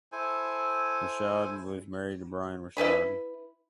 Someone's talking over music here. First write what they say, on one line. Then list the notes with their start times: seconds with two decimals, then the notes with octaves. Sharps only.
Rashad was married to Brian Rashad.
0.12 E4 A4 C5 G#5
2.77 E4 B4 G#5 B5